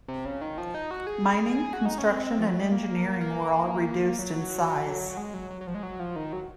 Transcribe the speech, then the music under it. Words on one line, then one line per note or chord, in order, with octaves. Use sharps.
Mining, construction and engineering were all reduced in size.
C3
C#3
D#3
F3
D#4
F#4
G#4
F#4
D#4
C#4
C4
F3
F#3
G#3
A#3
A#3
F#3
G#3
F#3
F#3
F#3
F3
G#3
F#3
F3
D#3
F#3